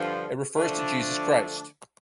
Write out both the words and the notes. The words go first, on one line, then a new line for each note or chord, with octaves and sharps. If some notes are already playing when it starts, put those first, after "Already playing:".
It refers to Jesus Christ.
Already playing: G2 D3 F3
D3 F3 A3 D4